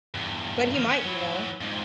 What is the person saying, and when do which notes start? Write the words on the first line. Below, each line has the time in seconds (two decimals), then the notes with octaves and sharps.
But he might, you know.
0.15 E2 G2
0.74 F2 D#3
0.89 B3 C#4
1.04 E3 F#3
1.61 F2 G#2